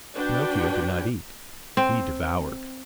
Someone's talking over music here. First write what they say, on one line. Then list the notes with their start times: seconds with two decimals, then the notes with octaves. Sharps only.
Pinocchio did not eat; he devoured.
0.15 D4 F#4 B4 G5
1.77 C4